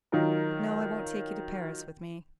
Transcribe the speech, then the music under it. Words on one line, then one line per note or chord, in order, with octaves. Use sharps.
No, I won't take you to Paris with me.
D#3 F#3 D#4 F4 A#4